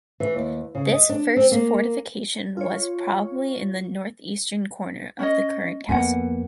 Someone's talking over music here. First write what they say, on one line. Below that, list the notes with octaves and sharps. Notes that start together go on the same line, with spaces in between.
This first fortification was probably in the northeastern corner of the current castle.
E3
D#2
C#3
D#5
D4
C4
A#3
F4 C#5
C#4 C#5 D#5
F2 A#3 B3 F#5 G#5